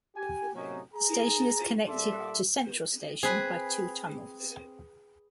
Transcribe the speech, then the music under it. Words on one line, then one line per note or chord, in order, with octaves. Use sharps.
The station is connected to Central Station by two tunnels.
G4 G#5
A2 C3 F#3 C#4 D#4
G#4 A#5
A#2 G3 A4 D5 E5 C6
C4 G#4 B4